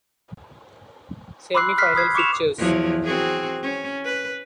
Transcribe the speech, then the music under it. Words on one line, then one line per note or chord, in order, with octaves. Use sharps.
Semi final fixtures.
B5 C6 D6 E6 F#6 C7
F6 F#6 B6 C7
B5 D#6 G#6 C7
C#6 D6 C#7 E7 F7
E2 F3 F#3
C4 F#4 G#4
C#4
B4